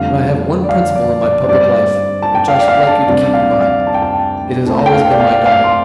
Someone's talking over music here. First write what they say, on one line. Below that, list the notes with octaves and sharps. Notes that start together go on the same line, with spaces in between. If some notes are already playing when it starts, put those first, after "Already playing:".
But I have one principle in my public life, which I should like you to keep in mind; it has always been my guide.
Already playing: F1 F2 D3 G3 F5
D5
F5
D5
D5
G2 G3 C4 D5
A5
G5
F5
D5
F5
A5
D2 C3 G3 C4 D5
F5
D5
F5
A5
G5
A5
C2 C3 A3 C4
G5
F5
D5
F5
F5
C6